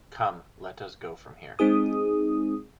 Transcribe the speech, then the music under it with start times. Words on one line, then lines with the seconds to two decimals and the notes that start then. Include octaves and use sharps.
Come, let us go from here!
1.59 G#3 C4 D#4 G#4 D#6